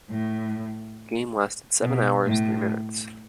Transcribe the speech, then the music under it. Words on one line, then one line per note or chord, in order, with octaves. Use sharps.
The game lasted seven hours three minutes.
A2
B2
A2